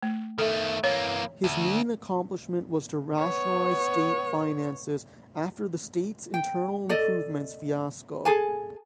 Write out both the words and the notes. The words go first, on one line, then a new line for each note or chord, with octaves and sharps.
His main accomplishment was to rationalize state finances after the state's internal improvements fiasco.
A3
D#3 A3 A4
E3 A#3 C#5
D2
B3 C#5
G5
A4 D5 D#5
G#4 A4 G#5 A5